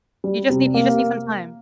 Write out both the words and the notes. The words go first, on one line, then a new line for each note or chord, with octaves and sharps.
You just need you just need some time.
G3
C3
A#3